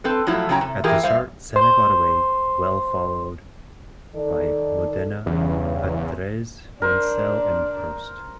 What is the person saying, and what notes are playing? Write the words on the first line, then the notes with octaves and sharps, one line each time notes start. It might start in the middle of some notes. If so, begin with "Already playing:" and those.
At the start, Senna got away well followed by Modena, Patrese, Mansell, and Prost.
C4 A4 B4
F3 F#3 A3 E4 F4
C#3 F#3 C#4 G5 A#5
C3
E3 E4 F4 G4 G#4 A#4
G3 C5 E5 F5
C5 C6
D#3 A4 D5
E2 G2 C#3 E3
D4 A#4 C5